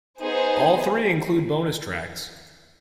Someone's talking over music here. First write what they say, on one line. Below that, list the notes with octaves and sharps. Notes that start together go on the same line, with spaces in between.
All three include bonus tracks.
B3 D#4 G#4 C5